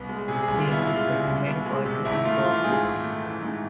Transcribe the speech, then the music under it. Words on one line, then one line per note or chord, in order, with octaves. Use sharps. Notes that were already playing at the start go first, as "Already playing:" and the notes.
He has written many poetry and prose books.
Already playing: C2 B3
G#3
C3 G#4
C2 G#4
F4
B3 E4
G#3 F4
C3
C2
B3
G#3
C3
G#1 E4
A3 F4
E3 F4
G#2 G#4
G#1
A3
E3
G#2